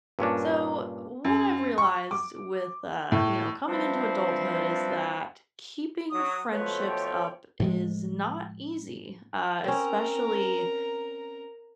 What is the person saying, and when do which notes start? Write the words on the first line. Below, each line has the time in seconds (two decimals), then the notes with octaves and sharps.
So, what I've realized with, uh, you know, coming into adulthood is that keeping friendships up is not easy- uh, especially
0.19 G2 A#2 C#4 D4
1.24 F#2
1.78 C#6
2.11 D6
3.12 A2
3.68 E3 F3 G3 C4 D4
6.10 F#3 D#6
6.52 B2 F3 A3 B4 C#5
6.88 G5
7.60 A2 F3 G#3
9.64 C4 C#4 A#4 A#5